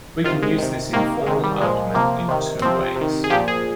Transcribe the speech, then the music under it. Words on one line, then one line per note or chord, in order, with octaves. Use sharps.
We can use this informal argument in two ways.
C3 D#3 F4
G#3
C3 D#3
C3 D#3 A#3
C3 D#3 G#3
G3
A#2 F3 G#3
C3 F3 A#3
C3 D#3
C3 F3 C4
C3
D#3
G#4
A#2 F3 G4
G#4